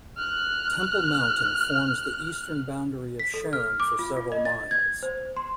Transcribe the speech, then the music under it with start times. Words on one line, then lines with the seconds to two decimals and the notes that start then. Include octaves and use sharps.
Temple Mountain forms the eastern boundary of Sharon for several miles.
0.17 F6 F#6
3.19 B6
3.34 A4
3.53 F6
3.80 D6
3.99 F4
4.17 F4
4.32 D#5
4.45 A6
4.71 G#6
5.03 C5
5.37 C6